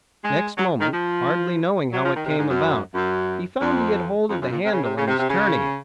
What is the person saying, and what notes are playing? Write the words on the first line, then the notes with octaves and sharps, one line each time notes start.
Next moment, hardly knowing how it came about, he found he had hold of the handle and was turning it.
G#3
F#3
D#3
F3
F#3
F3
D#3
C3
G#2
F#2
F#2
F2
F2
F#2
A#2
C3
C#3
C3
C#3
C3
C3
C#3